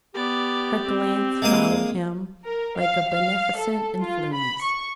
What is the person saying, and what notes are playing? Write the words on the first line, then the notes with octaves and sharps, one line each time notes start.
Her glance followed him like a beneficent influence.
B3 G4 D5
C4
G#3 A#3 D#6
A#4
F5
F5
A4
F4
B5
C#6